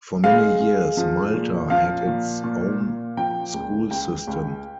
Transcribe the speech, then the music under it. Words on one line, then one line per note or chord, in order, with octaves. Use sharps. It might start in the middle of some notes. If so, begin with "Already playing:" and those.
For many years Malta had its own school system.
G#3 F5
G#3
F3
A#2
F3 F5
A#2
A#2
A#2
F3 G5
C#2
C#2 G5
C#2